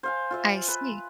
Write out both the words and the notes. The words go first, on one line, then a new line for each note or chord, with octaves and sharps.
I see.
C5 F5 G#5
F4 C5 E5
B4